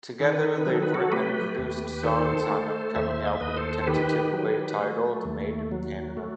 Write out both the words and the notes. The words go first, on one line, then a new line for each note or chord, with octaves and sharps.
Together, they've written and produced songs on upcoming album, tentatively titled: "Made In Canada".
D#3 A4
B4
A4
B4
F#3 A4
B4
F#4 A4
A3 G4 B4
D#2
D#3 A4 C5
A3
D#2 C5 E5
D#5
E5
D#2 B4 D#5
A4 C5
D#3 G4 B4
F#3
A3
D#2
F#3
A3